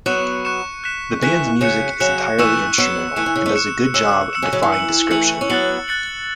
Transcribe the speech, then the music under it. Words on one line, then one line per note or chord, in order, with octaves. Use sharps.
The band's music is entirely instrumental and "does a good job of defying description".
F#3 B3 C#6 F#6 C#7 E7
C#6 F#6 C#7 E7
F#6 B6 E7
E3 A3 F#6 B6 E7
C#3 F#3 F#6 C#7 E7
C#3 F#3 F#6 C#7 E7
E3 A3 C#6 E6 C#7 E7
F#3 B3 C#6 E6 C#7 E7
E3 A3 F#6 C#7 E7
E3
C#3
A3 C#4
F#6 C#7 E7
C#3 F#3 E6 C#7 E7
E6 C#7 E7
C#3 F#3
C#3 F#3
E3
E6 C#7 F#7
E3 A3 E6 C#7 F#7
C#4
F#3 B3 F#6 A6 C#7 F#7
F#6 A6 C#7 F#7